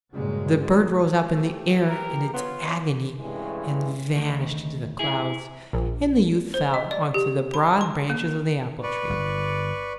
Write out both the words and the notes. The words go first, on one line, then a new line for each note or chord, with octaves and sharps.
The bird rose up in the air in its agony and vanished into the clouds, and the youth fell on to the broad branches of the apple-tree.
G2 A#2 C#3 F#3 G#3
A3 G4
E3 G4 A#4
B3 F4 C#5
G2 E3 G#3 A3 C#4
D2 D#3
E4 G#4
A#1
C5
D#5
D5
G4
B5
C6
A#3
B4 D5 C#6
G1